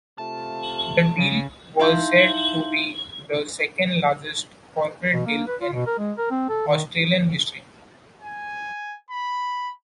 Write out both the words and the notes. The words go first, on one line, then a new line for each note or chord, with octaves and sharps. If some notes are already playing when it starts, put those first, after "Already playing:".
The deal was said to be the second largest corporate deal in Australian history.
C3 A3 F4 A5
C#3
D#4 E4 E5 F5 C6 G6
B2
A#3
B4
F4
B2
A#4
G#3
A#4
C4
A4
D#3
G#5
B5